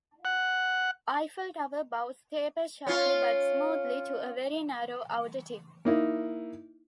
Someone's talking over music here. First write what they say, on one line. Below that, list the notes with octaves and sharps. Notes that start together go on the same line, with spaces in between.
"Eiffel Tower" bows taper sharply, but smoothly, to a very narrow outer tip.
F#5
C#4 F4
A#3 D#4 E4